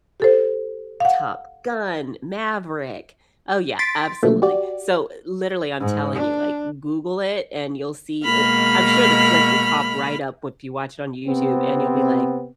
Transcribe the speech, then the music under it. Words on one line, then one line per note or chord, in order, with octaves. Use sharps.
Top Gun, Maverick. Oh yeah, absolutely. So literally I'm telling you, like, Google it and you'll see eh, I'm sure the clip will pop right up if you watch it on YouTube and you'll be like,
G4 A4 C5
F5 F#5
C6 A6 B6 D7
B2 D3 F3 F#3 A3 A#3
F#4 G4 D5
G#2
D4
B2 G#3 A#3 B5 F6
C3 B3 C4